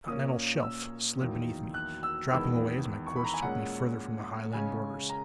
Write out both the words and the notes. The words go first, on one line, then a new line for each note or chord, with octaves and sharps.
The Continental Shelf slid beneath me, dropping away as my course took me further from the Highland borders.
A#2 A#3 C#4 D#6
E6
E2 D#3 F#3 A#3
F#6
E6
E2 D#3 G#3 B3 E6
C#6
B5
A#5
G#5
A#2 G#3 C#4 F#5
C#3 G#3 C#4 G#5
A#5